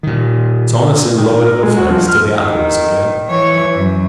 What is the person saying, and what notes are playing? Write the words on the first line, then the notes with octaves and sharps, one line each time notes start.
Thomasin lowered her face to the apples again.
A#2 D#3
D#3
A#4
G#3
F#4
F3
F6
D#3
E3 C#5
F#2